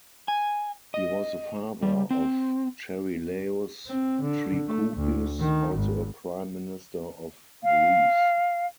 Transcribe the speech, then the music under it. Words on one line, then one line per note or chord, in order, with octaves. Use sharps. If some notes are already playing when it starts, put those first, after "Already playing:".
He was the father of Charilaos Trikoupis, also a Prime Minister of Greece.
G#5
D#5
G3
C4
C4
D3
A3
D2
D#3
G#1
F5